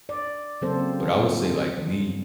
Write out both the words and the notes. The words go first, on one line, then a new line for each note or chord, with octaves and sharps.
but I would say like me,
D5
C#3 F#3 A#3 C4 A4 C5